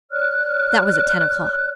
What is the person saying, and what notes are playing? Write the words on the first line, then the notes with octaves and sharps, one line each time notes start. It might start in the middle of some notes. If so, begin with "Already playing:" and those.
That was at ten o'clock.
C#5 D5 F6 F#6